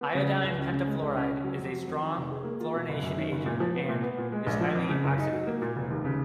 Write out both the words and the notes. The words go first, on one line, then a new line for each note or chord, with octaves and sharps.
Iodine pentafluoride is a strong fluorination agent and is highly oxidative.
B3
C#3
F#3
C#2
C#4
C#3
G#3
C#2
C#4
C#3
F#3
F2
F#3
F2
D#3
F1
G#4
A#3
F4
B2
F#1
F#2
D#3
F#1
A#2
F3
B3
A#2
B3
A#2
G#3
A#1
F3
F2
C#3
F#1
D#4
F#3
A#3
A#2
F1
D#2
C#3